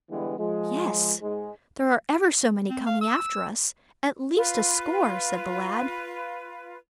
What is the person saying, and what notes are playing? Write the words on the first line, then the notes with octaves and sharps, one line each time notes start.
"Yes; there are ever so many coming after us, at least a score," said the lad.
D3 E3 G3 G#3 B3
F3 G#3
G#2 G#3
C4
F5
E6
F4 B4